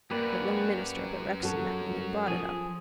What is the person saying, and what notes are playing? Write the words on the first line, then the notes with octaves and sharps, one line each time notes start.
That young minister up at Rexton met me and brought it up.
F#2 A#3 G4 B4 D5
F#3 F#4 A4
F3 G#4 G#5